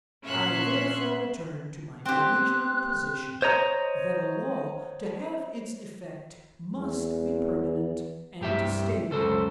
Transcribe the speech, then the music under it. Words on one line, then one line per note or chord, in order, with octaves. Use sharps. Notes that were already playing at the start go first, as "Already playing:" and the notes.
'I therefore return to my original position, that a law, to have its effect, must be permanent and stable.
A#2 C#4 E5 C6 F#6
C4 G4 F#6
C5 C#5 D#5 A#5
E2
C2 G2 G4 E5
C#2 F#2 A4 C5